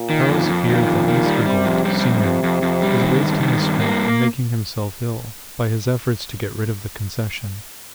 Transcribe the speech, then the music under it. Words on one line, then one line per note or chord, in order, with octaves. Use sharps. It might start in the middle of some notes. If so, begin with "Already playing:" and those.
Charles feared that Mr. Gould, senior, was wasting his strength and making himself ill by his efforts to get rid of the Concession.
Already playing: A#2
D#3
F2
F2
A#2 D#3
F2
D#3
G3
C3 G3
F2
C3 G3
F2
F2
F2
F2
G3
D#3
G2
D#3
G2
A#3